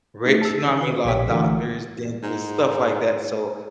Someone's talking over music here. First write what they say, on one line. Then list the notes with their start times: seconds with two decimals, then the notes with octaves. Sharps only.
rich, you know what mean? A lotta doctors, dentists, stuff like that, so
0.25 A3 D#4
0.42 A5 E6
0.64 D#3 C#4
0.81 F#4 B4
1.05 A#1 B2 G4 C#5 B6
1.29 D3 E3 A3 F#4 A#4
2.23 G#2